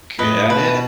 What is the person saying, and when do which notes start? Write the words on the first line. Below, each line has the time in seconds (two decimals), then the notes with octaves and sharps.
good at it,
0.18 A2 B4 D#5
0.49 B2 B4